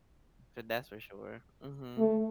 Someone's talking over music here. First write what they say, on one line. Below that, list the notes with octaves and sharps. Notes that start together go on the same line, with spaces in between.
So that's for sure. Mhm.
A3